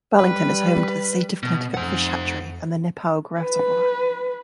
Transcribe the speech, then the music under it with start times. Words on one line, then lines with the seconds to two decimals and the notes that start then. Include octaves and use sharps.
Burlington is home to the State of Connecticut Fish Hatchery and the Nepaug Reservoir.
0.19 G3 B4
1.43 B2
1.74 F2 C5 F#5
3.40 B4